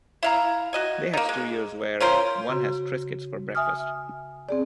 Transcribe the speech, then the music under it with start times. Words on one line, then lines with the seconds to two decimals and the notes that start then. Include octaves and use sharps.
They have studios where one has Triscuits for breakfast.
0.23 E4 F5 A#5
0.73 F#4 D#5 G#5
1.13 A#3 D#4
1.29 G#3
2.00 C#4 F4 A#4 C5
2.49 C#3 F#4
3.55 E5 G#5 D#6 F6
4.49 C4 G#4 D5